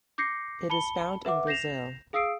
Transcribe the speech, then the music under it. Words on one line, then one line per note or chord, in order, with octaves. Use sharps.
It is found in Brazil.
D6 G6 A#6 C7 C#7
A5 B5 C#7 G7
B4 E5 F#5 D6
G6 A#6 C7 E7 F7
G#4 F5 D#6 E6 C7 D7